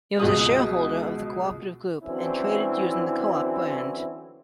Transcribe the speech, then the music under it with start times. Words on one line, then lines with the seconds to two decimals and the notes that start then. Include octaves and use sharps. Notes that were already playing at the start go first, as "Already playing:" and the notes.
It was a shareholder of the Co-operative Group and traded using the "Co-op" brand.
0.20 C#2 B2 G#4 D#6
2.03 D3 E3 F#3 C4 C#4 E4